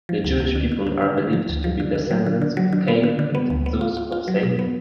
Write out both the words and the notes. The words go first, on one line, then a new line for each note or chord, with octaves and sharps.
The Jewish people are believed to be descendants of Cain and thus of Satan.
F3
D2
D2
D3
D3
D3
D3
D3
F3
D2
F3
D3
D3
F#3
D3
D3
F#3
D3
B3
D3
D3
B3
D2
B3
F4
F4
F4
F#3
B2
B3